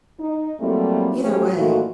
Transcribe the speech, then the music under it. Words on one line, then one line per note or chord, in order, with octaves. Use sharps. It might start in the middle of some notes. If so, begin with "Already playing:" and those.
either way,
D#4
F#3 G3 A3 A#3 C4 E4
A2 F3 C#4 G4
A#2 E3 A3 D#4 F4 F#4